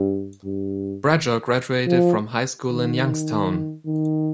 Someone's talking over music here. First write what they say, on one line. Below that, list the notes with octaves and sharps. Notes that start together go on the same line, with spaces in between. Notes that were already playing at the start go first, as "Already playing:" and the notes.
Bradshaw graduated from high school in Youngstown.
Already playing: G2
G2
F3
D#3
D#3